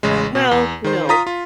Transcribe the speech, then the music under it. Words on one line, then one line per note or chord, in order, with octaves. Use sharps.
Well, no.
A1 C#3 G#3
B2
E2
D#3 C5
F4 A#5 D#6 B6
F4